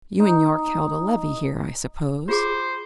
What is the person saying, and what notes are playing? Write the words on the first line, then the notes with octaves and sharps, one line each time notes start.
You and Yorke held a levee here, I suppose?
D#4
F4 G#4 C5 D6